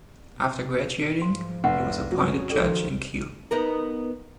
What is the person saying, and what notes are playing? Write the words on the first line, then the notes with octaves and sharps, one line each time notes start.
After graduating, he was appointed judge in Kiel.
B2
G#2 F3 C6
F1 F#5
G1 F#3 C#4
D#3 F3 G#4 A4 D5
B3 D#4 A#4